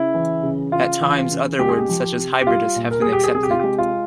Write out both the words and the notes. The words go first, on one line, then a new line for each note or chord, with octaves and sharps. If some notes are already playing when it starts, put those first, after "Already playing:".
At times other words such as "hybridous" have been accepted.
Already playing: C#3 E4
E3
C#3
C#3 F4
E3
C#3
G#3 G4
G#4
G4
F3
C3
G4
G3 F4
A#2
A#4
G3 G#4
G4
G#4
C3 G#4
G4
F4
G#3 G4
F4